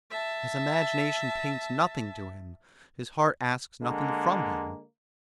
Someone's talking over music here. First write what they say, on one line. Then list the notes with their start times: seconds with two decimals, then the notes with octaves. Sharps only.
His imagination paints nothing to him; his heart asks nothing from him.
0.10 E5 A5
3.82 D3 G#3 A#3